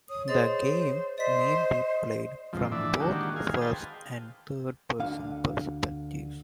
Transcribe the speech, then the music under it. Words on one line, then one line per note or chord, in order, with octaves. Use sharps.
The game may be played from both first- and third-person perspectives.
C#5 D#6
G#4 C5 D#5 A6
C5 D5 D#5 B6
F2 G#2 F3 C4
A2 D3 E3 D5 E5
D#3 G#3 A#3 D4 F#4 G4
G#4 F5 G#5
B4 C5 D#5 F5 G5 A5
D2 D3 F5